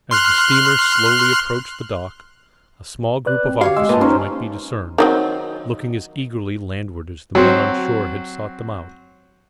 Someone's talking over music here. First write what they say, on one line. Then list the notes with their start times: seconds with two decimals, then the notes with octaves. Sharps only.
As the steamer slowly approached the dock, a small group of officers might be discerned, looking as eagerly landward as the men on shore had sought them out.
0.11 C6 F6 F#6
3.26 B4 D5 F#6
3.43 C4
3.61 D3 F#4 G4 C#5 F5
3.76 G#3 E6
3.89 A#2 A#3 B4 D#5 A5
4.01 C#4 D#4 C5
4.98 D#3 F#3 C4
7.35 F#3 C4